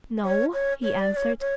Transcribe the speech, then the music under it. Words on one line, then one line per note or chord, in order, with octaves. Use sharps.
"No," he answered.
C#5
C#5
C#5
D5
D5
C#5
C#5